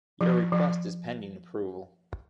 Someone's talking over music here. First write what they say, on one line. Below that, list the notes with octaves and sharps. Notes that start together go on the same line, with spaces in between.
Your request is pending approval.
F3
F3